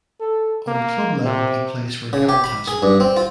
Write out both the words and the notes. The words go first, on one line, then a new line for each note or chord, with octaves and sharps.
On club level he plays for Galatasaray.
A4
A#3
C3
C#3
G4
B5
G#4
G2
C4
F4